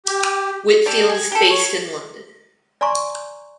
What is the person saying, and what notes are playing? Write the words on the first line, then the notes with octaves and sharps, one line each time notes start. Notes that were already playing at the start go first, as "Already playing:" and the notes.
Whitfield is based in London.
G4
G4 A4 D5
G#4
G4 A4
C#5
D5 G#5 A#5 C6 C#6